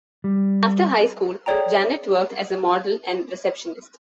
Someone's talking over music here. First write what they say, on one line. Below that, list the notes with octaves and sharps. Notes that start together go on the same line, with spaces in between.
After high school, Janet worked as a model and receptionist.
G3
G#4 A4 C#5 D5 G5 A#5